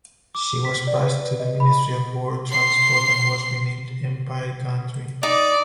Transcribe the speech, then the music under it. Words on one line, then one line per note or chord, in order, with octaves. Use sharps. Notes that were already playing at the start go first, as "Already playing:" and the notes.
She was passed to the Ministry of War Transport and was renamed "Empire Gantry".
D6
B6
D5
B4
D#5
B5
C6 C7
D#4 D5